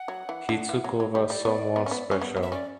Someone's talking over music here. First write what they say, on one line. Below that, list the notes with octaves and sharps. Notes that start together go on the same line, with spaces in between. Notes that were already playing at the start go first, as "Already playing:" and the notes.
He took over someone special.
Already playing: F#5
F#3
E3
D3
E3
F#3
F#3
G3
G3 D5
B3
B3
C#4
B3
C#4
B3
B3
E5
C#4 D5